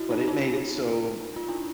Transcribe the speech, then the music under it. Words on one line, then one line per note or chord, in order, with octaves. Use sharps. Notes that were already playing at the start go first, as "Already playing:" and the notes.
but it made it so,
Already playing: E4 F#4
D#4 F4
D#4 F4
F4
D4 E4